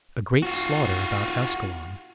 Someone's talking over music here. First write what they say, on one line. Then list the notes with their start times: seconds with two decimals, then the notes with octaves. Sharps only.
A Great Slaughter About Ascalon.
0.42 F4 F#4